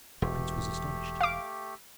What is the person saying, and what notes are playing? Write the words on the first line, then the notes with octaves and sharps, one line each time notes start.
The prince was astonished.
E1 A3 G4
F5 D6